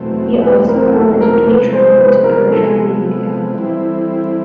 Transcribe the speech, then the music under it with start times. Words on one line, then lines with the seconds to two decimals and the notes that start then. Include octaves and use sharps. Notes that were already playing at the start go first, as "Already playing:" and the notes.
He also allegedly travelled to Persia and India.
Already playing: E2 B2 F#3 A3 C4
0.41 B4
0.68 A#4
0.94 A4
1.20 A#4
1.46 C3 F3 G#3 B3 B4
1.72 C5
1.98 B4
2.24 A#4
2.51 A4
3.54 E3 G3 C4 E4